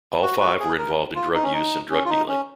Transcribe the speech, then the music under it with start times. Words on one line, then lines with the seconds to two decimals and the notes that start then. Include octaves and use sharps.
All five were involved in drug use and drug dealing.
0.22 F#4
0.40 F#4
0.59 G#4
0.78 A#4
1.15 F4
1.34 D#4
1.43 C#4
1.53 D#4
1.90 C#4
2.05 F4
2.09 D#4
2.28 C#4